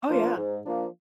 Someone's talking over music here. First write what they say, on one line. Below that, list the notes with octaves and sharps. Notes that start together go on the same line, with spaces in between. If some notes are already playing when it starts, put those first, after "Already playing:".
Oh, yeah.
F3 A#3 D4 F4
G#2
F3 A#3 D4 F4